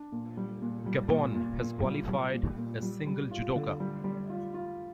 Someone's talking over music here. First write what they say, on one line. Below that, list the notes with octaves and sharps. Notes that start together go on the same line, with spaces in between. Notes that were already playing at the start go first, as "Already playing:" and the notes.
Gabon has qualified a single judoka.
Already playing: D4
A#2
G3
A#2
G3
A#2
A#2
A#2
G3
G3
A#2
A#2
G3
G3
F4
D3
G3
G3
F4
F4